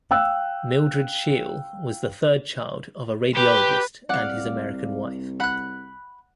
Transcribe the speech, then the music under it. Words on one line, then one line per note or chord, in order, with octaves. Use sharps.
Mildred Scheel was the third child of a radiologist and his American wife.
F5 G5 E6 F#6
G4 B4
C2 D5 F5 F#5
F#5 B5 F#6